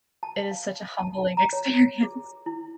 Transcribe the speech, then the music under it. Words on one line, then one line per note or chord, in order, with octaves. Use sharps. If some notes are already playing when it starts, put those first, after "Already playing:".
It is such a humbling experience.
A5
F5
A5
A#5
C#5
G#4
E4